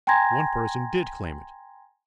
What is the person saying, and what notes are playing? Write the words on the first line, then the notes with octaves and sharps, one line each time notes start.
One person did claim it.
G5 G#5 A#5 C6 G#6 A#6